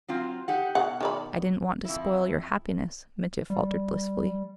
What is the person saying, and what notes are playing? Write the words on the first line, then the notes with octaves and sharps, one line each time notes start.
"I didn't want to spoil your happiness!" Mitya faltered blissfully.
F#3 C4 F4
D#4 G4 F#5
B2 F#5
D#3 D5 B5
F2 E4
G3